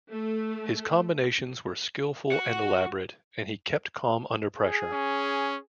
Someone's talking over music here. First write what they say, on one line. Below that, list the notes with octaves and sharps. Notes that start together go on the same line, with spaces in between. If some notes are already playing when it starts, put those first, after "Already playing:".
His combinations were skillful and elaborate, and he kept calm under pressure.
A3
F#4 F#5
G#4
C#4